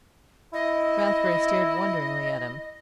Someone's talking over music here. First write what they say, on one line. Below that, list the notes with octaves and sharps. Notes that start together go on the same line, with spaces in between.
Rathbury stared wonderingly at him.
E4 D#5